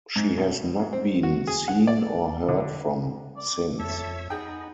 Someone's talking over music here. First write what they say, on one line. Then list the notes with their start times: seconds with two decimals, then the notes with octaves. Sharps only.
She has not been seen or heard from since.
0.16 G#2
0.38 B2
0.80 G#2
0.93 C4
1.23 F#4
1.47 G#4
1.68 F#5
1.87 D5
2.48 D3
3.36 D5
3.80 F2 A4 C#5 E5
4.30 B3 D#4 G#4 G5